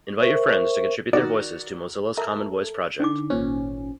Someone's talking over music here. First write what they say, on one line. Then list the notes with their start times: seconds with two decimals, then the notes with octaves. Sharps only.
Invite your friends to contribute their voices to Mozilla's CommonVoice project!
0.19 A#4 C5 E5 C#6
1.13 D#3 F#4 D5
2.17 A4 A#4 E5 A#5
3.00 D3 C#4 D#4 D6
3.30 G#1 A#2 C#4 C5